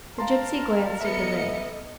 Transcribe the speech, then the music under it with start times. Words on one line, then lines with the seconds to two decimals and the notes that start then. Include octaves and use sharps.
The gipsy glanced at the ring.
0.18 A#4 F5 A5 A#5 C6
1.01 B3 A4 D#5 E5 C#7